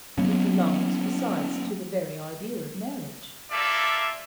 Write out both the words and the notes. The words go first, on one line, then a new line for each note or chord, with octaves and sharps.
"It belongs, besides, to the very idea of marriage."
F#3 A#3 B3 C#4
A#3 F4 G4 A4 D5 E5